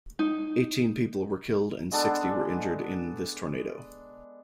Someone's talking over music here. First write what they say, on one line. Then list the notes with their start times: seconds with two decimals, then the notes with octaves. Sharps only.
Eighteen people were killed and sixty were injured in this tornado.
0.19 D#4
1.92 G#3 B3 D4 A4